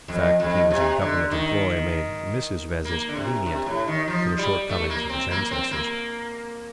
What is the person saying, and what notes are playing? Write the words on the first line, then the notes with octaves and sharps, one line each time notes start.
The fact that he was in Government employ made Mrs. Vezzis lenient to the shortcomings of his ancestors.
F2
F2
C3
D3
D#3
A#3
D3
C3
C3
A2
D#3
F3
G3
A3
A#3
C4
A#3
C4
A#3